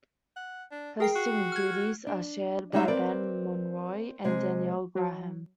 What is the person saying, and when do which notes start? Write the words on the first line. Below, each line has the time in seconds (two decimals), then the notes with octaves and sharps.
Hosting duties are shared by Ben Mulroney and Danielle Graham.
0.36 F#5
0.71 D4
1.00 G#4 A#4 G5 C7
1.15 F#4
1.52 F6 G#6
2.07 D4
2.73 G3 G#3 D#4 D#5 E5
2.88 C4 A#4 B4 D5
4.24 C3 G#3
4.95 F#3